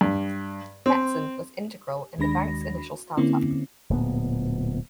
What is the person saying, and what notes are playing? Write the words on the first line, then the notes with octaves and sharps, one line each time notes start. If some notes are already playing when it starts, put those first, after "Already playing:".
Metzen was integral in the bank's initial startup.
G2
C4
D#2 D#3 G#3 D4 B5 A#6
D3 A#3 C4 C#4 E4
D1 A#2 B3